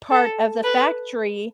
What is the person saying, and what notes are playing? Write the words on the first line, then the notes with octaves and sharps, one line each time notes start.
part of the factory
A4
B4